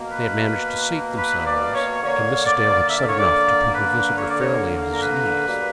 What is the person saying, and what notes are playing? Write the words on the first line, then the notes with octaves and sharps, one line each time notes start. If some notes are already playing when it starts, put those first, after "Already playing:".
They had managed to seat themselves, and Mrs. Dale had said enough to put her visitor fairly at his ease.
Already playing: B2 A#3
B4
B4
D5
C#5
D3 A#3 C#5
D5
E5
D5
C#5
D5
B4
C#5
D5
C#5
A#4
B4
B2 G3 A#3